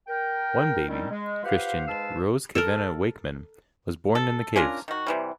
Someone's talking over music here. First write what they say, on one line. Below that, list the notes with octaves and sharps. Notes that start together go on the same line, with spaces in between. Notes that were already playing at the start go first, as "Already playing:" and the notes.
One baby, christened Rose Cavena Wakeman, was born in the caves.
A#4 G5
D#3 G3 C4 C#4 D#4 E4
G#3
F4 G4 B4 C5 F5 F#5
G#2 G#3 B4 F5 A5 E6
A4 A#4
A4
C#4 D4 F4 A#4
D#3 F#4
C3 E3 G3